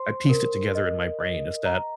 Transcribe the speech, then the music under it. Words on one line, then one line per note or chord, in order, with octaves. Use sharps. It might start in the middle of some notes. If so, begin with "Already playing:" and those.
I pieced it together in my brain is that,
Already playing: C5 C6
A#4
D#5
D#5
A#5